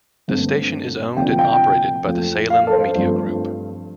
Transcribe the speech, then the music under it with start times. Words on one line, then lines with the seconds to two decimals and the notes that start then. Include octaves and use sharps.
The station is owned and operated by the Salem Media Group.
0.28 G2 D3 A3 C4
1.17 D2 C3 F3 D4 G5
1.39 G5
2.06 F2 F3 A3
2.50 F5
2.67 A4
2.73 C5
2.95 G2 F3 A3 C4